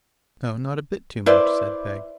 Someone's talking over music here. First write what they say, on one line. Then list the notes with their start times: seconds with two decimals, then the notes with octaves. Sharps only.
'No, not a bit too much,' said Peg.
1.26 E4 B4 C5 D5